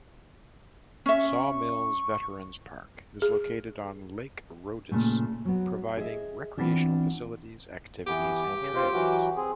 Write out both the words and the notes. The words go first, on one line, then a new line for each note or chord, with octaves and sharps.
Sawmills Veterans Park is located on Lake Rhodiss, providing recreational facilities, activities and trails.
C#4 E5 C#6
G#4
A#2 C#3 A3
F#3 B3
G#4 D#5 E5
E3 F#3 B3 C4 D4 F4
E3 B3 G4
G2
C#3
C4 F4 C5
E3 F#3 F#4
C4 G#4